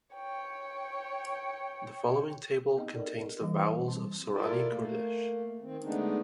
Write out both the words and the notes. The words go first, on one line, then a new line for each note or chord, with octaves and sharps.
The following table contains the vowels of Sorani Kurdish.
C#5 G5
B3 C4 D#4 G#4 D#5
A4 A#4 D5
E3 G3 A#3 E4 D#5 D6
E4 B4 C5
G3 C4 A5 C6
E4 F4 A4 A#4 D5
A3 A#3
D#3 C4
D3 G#3 A3 B3 D4 D#4